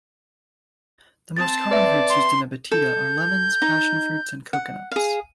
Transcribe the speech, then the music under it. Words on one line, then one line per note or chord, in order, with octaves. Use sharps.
The most common fruits used in a batida are lemons, passion fruits and coconuts.
C4 A5 A6
B4 D5 E5
C6
A4 G6
D#4
F#5
G#4 F5